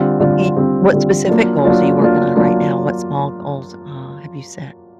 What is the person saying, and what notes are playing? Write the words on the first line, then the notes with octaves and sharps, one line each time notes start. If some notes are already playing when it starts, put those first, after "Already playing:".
You i what specific goals are you working on right now, what small goals, uh, have you set?
Already playing: D3 G3 C4 F4
D3 G3 C4 F4
D3 G3 C4 F4
D3 G3 C4 F4
F#3 A#3 D4 F4
F#3 A#3 D4 F4
F#3 A#3 D4 F4
F#3 A#3 D4 F4